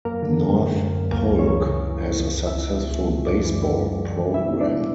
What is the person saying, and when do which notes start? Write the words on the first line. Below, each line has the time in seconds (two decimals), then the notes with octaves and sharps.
North Polk has a successful baseball program.
0.05 F#2 A#3 A#4
0.22 D3
0.41 D3
0.59 F#2
0.77 F#2
0.95 F#2
1.12 C#2 A#3 A#4
1.30 C#2
1.39 C#4 C#5
1.48 E3
1.66 C#3
1.84 C#3
2.01 E3
2.20 C#2
2.38 C#2
2.47 E4 E5
2.55 C#2
2.73 B2
2.91 C#2
3.09 C#2
3.26 F#2 D4 D5
3.45 E3
3.62 E3
3.80 F#2
3.99 F#2
4.16 E3
4.34 B2 E4 E5
4.52 B2
4.61 D4 D5
4.70 B2